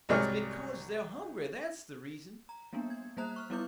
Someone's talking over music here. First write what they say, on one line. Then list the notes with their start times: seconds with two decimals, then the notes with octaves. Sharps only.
It's because they're hungry; that's the reason.
0.09 C2 G#2 F#3 D5 D#5 F6
2.49 A#5
2.73 G3 A#3 B3 D4
2.90 G#6
3.17 G3 A#3 C5 A#5 F#6
3.36 C#6 F6
3.50 G3 B3 E4 B4 D6 G6